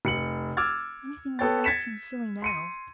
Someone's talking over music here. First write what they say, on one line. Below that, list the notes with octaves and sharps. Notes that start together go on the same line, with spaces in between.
Anything like that seems silly NOW.
F1 C#7 F#7
D6 E6 F6 G#6 A6
B3 A4 C#5 G5 A6
G#6 A6 B6 C#7 E7
C6 C#7 D#7